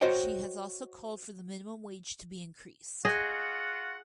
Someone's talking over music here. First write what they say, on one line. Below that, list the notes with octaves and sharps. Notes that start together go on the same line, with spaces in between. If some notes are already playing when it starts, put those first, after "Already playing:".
She has also called for the minimum wage to be increased.
F#4 C5 C#5 D#5 G5
F4 F#4 G#4 D#5 F#5